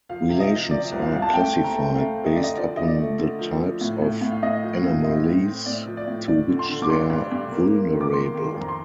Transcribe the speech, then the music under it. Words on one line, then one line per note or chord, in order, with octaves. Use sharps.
Relations are classified based upon the types of anomalies to which they're vulnerable.
F3 F5
C3
D#5
F3
F3 D5
C2
F5
C2
A5
A3 G5
C4
A#5
A3
A3 F5
C4
D#5
D3 D5
D#5
F3 D5
D3 D#5
D5
A3
D3
F3
F3
A2
A2
A2
F5
A2 D#5
F3
F5
A2
C4 D#5
A2
C4
A2 D5
F3
D5
A2
F3 D5
D3
C6
D3
D6
G2 C6
G2
G2
A#3
A#3
D#3
D6
A#3 C6
D#3
C6
F2
A#5
C6